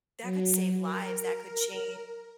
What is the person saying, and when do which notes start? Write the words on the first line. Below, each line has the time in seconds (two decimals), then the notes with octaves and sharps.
that could save lives, that could change
0.22 F#3
0.83 A#4